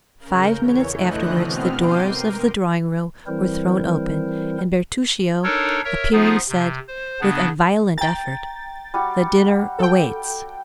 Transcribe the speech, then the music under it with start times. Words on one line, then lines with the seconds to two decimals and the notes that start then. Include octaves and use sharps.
Five minutes afterwards the doors of the drawing-room were thrown open, and Bertuccio appearing said, with a violent effort, "The dinner waits."
0.19 C#3 A#4 G6
0.59 E2 E3 C#5
0.93 D3 E3 A3 D#5 F#6 G6
1.31 B2 B3 C4 F6
1.76 G5 C6 D6 G6 C7 D#7
2.07 A#4
3.27 E3 G3 C4 E4 A#4 C5
5.44 D4 D#4 A4 A#4 C#5
5.85 A#4 C#5 E5
6.13 F3 B3 D#4 F4 G#4
6.49 C3
6.88 C5
7.21 C#3 B3 D4
7.98 G5 A#5 A6
8.94 G3 F#4
9.79 A4 G5